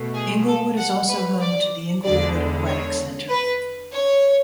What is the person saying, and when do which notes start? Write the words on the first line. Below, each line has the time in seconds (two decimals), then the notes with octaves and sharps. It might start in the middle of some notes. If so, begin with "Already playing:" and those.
Inglewood is also home to the Inglewood Aquatic Centre.
Already playing: B2 A3
0.14 G#4
0.47 A4
0.77 F#5
1.09 B4
1.41 D5
2.04 E2 D3 G#3 D5
2.67 C#5
3.29 B4
3.93 C#5